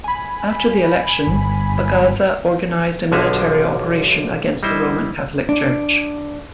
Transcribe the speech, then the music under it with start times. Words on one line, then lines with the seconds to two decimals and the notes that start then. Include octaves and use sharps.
After the election, Bagaza organized a military operation against the Roman Catholic Church.
0.04 G#5 B5
1.27 G1
3.12 B1 D3 F3 F#4 G#4 E5
4.63 G3 D#4 E4 C5
5.49 D4